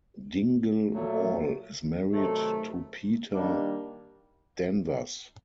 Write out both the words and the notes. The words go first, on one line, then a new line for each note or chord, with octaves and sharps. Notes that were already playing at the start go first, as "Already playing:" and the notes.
Dingle-Wall is married to Peta Danvers.
A#2 F#3 A3
C3 D#3 F#3 A3
D#3 G3 A#3 D4